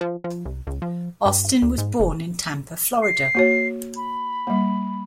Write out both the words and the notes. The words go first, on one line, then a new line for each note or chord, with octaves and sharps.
Austin was born in Tampa, Florida.
F3
F3
C2
C#2
F3
G2
D2
G#2
F1
C7
A#3 F#4 C#5
B5
G3 A#3